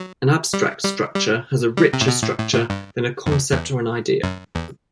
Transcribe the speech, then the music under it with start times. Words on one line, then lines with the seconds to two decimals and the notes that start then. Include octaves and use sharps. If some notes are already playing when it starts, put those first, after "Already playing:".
An abstract structure has a richer structure than a concept or an idea.
Already playing: F#3
0.53 G3
0.85 G3
1.15 G3
1.77 G3
1.93 C3
2.01 A2
2.08 B2
2.23 A2
2.39 A2
2.54 A2
2.70 G2
3.26 F#2
3.31 E2
3.52 E2
4.24 F#2
4.55 E2